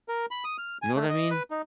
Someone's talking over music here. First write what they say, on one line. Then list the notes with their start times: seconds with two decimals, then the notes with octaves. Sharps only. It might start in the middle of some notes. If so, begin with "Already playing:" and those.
You know what I mean?
0.08 A#4
0.31 B5
0.44 D#6
0.58 F6
0.82 G#5
0.95 A3
1.09 D#5
1.30 B4
1.51 D#4